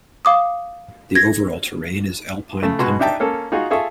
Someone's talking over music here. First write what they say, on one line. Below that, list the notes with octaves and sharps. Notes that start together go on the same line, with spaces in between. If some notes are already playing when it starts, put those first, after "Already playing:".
The overall terrain is alpine tundra.
F5 D6 D#6
G#6 A#6
C#3 A3
B2 G#3 F#4 C6
D4 D#4 E5 G5 A5
A#3 C#4 A4
D#4 F4 F#4 G#4
F4 G#4 A4 E5 C#6